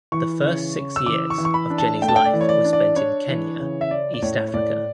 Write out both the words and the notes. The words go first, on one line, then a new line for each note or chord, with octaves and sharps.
The first six years of Jenny's life were spent in Kenya, East Africa.
E3 C#6
C#3
C#3
E6
E3 D6
C#6
E3
C#6
B5
D4
A5
A3 G5
A5
G5
D5
E3
C#5
D5
D4
D5
D4 C#5
E3
C#3
E5
C#4 D5
D5
A2 C#5
C#5
A2 D5